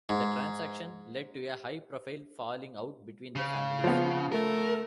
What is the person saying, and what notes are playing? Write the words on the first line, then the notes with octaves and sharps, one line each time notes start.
The transaction led to a high profile falling out between the families.
G#2
C#3
F3 B3
A3 A#4